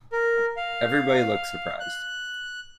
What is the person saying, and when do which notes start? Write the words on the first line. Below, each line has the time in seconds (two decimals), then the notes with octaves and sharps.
Everybody looked surprised.
0.13 A#4
0.57 F5
1.80 F#6